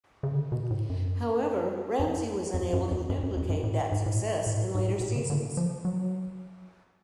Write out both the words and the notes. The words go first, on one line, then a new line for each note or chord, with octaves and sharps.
However, Ramsay was unable to duplicate that success in later seasons.
C#3
D3
B2
A2
F#2
F2
F2
F#2
F2
F#2
F#2
F2
F#2
A2
G#2
A2
A2
G#2
A2
A2
C#3
D3
F3
F#3